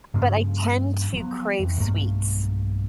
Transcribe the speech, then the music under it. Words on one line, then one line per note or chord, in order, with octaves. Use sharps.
but I tend to crave sweets.
G2 C#3 F3 A#3
F3 F#3 B3
F2 E3
B1 G2 A3 A#3